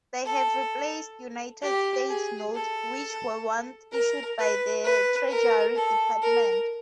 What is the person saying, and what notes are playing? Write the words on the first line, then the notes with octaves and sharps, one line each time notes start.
They have replaced United States Notes, which were once issued by the Treasury Department.
A4
G4
G#4
A4
A#4
B4
B4
A#4
A4
A#4